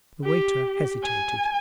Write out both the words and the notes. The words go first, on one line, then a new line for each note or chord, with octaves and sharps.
The waiter hesitated.
G4
G#5